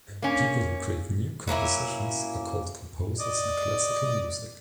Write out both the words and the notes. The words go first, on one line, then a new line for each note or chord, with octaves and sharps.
People who create new compositions are called composers in classical music.
A#3 C#4
F#3 A#3 C#4 E4
D5 D#5